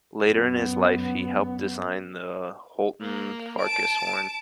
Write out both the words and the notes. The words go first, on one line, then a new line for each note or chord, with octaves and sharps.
Later in his life he helped design the Holton Farkas horn.
F#2 B3
A#3
A5 D7